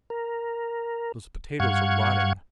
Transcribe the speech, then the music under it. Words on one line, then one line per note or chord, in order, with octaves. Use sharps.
Those potatoes are rotting.
A#4
G2 F5 F#5 C#6 G#6